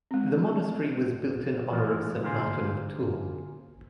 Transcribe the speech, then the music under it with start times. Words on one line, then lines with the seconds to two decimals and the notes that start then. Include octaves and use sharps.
The monastery was built in honour of Saint Martin of Tours.
0.11 G#3 C4
1.72 E3 F3 G#3 F4
2.22 D3 A#3 F4 G#4 C5